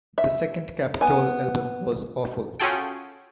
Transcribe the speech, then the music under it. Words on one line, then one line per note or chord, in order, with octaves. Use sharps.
The second Capitol album was awful....
E5
B3 G#5
C#4 F4 F#4 G#4 A4 G5